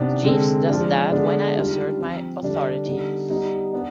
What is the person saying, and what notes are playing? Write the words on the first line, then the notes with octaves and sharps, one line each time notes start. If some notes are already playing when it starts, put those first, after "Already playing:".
Jeeves does that when I assert my authority.
Already playing: C3 D#3 B3 D4
D3 G#3 C4
F3 G#3 D4 F4
D3 G#3 B3 D4
D#3 G3 D4 F4
F3 C4 F4
D3 G3 D4
D3 G3 B3 D#4
G3 B3 D#4
B3 D4